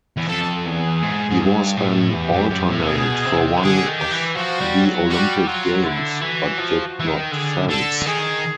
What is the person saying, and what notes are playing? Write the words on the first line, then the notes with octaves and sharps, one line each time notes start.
He was an alternate for one of the Olympic Games, but did not fence.
E2
F2 A4
E2 G#4
G#2
G#2
G2
A2
E2 G4
F#2
F#2
A2
C3
B2 G#4
C3
D#3
D3 G#4
D#3
G4
E3
F3 F#4
G3
F#3
G3 F#4
F#3 F4
D3 E4
E3 F#4
F3
E3
D#3
D3 G#4
D3 A4
D#3 G#4